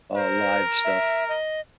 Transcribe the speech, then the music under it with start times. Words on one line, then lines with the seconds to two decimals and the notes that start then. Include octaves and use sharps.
uh, live stuff.
0.16 A#4 C5
0.84 E5
1.29 D#5